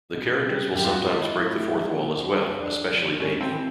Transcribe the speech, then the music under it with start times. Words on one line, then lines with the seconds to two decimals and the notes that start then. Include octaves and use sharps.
The characters will sometimes break the fourth wall as well, especially Baby.
0.14 B2
0.44 G3
0.75 F#2 G4
0.84 F4
0.91 F#4
1.06 D#3 G#3 F4
1.22 E4
1.36 A2 E4
1.67 F3 G#3
1.98 A#2
2.29 G3
2.59 F2 D4
2.90 C#3 F3
3.20 G#2 C#4
3.41 C4
3.51 E3